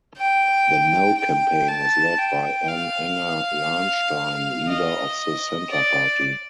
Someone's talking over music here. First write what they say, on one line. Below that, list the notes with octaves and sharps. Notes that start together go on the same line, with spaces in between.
The "No" campaign was led by Anne Enger Lahnstein, leader of the Centre Party.
G5
G5
A5
G5
F5
D#5
D5